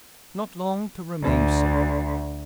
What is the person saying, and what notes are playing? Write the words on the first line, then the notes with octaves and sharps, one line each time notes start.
Not long to remain so.
D2